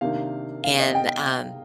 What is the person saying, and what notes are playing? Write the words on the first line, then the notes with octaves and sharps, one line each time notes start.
and, um
C3 D#3 A#3 D4 F5
F5
D#5
G5